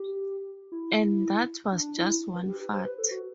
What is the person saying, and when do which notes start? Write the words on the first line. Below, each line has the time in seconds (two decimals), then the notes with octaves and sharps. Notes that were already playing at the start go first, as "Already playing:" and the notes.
And that was just one fart.
Already playing: G4
0.72 E4
1.72 D4
1.97 E4
2.35 B4
2.44 F#4
2.48 G4
2.60 B4
2.73 C5
2.85 B4
2.98 A4
3.11 F#4